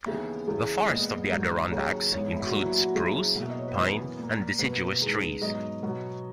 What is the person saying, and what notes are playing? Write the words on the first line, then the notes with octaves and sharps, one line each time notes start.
The forests of the Adirondacks include spruce, pine and deciduous trees.
D#2 C#3 E3 B3 E5
E2 C#3 E3
A#2 G#3 B3 D#5
G#2 F#3 A#3
D#2 C#3 F#3 C#5
G#2 E3 G#3 B3 C#5
E4
F#4
A#2 F#3 B3 F#4
E4
F#4
F#4
E2 C#3 F#3 A#3 E4
B2 A#3 E5
D#5
C#5
B4
F#2 E3 B3 A#4
A#2 A#3
B2 A#3 B4
E2 D#3 G#3
G#2 F#3 B3 D#5
B2 F#3 B3